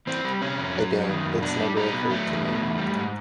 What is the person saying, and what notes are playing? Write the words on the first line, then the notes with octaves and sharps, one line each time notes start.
I don't, it's never occurred to me.
E3 C4
G3
C3 C#4
F2
F#3
F#2
D#3
F#2
B2 D4
G3
G3 D#4
B2
F#3 A3
E2
B2
E2
G3
G#2